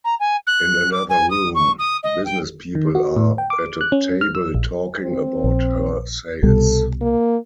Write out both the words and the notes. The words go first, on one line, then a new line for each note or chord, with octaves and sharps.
In another room, businesspeople are at a table talking about her sales.
A#5
G#5
F#6
D6
G#5
D#6
C#6
D#6
D#5
G5
D#3
F#4
A2
G5
D6
F#6
C#4
F6
E6
A#1
C4
A#1
C2 B2 G3 A4
A#3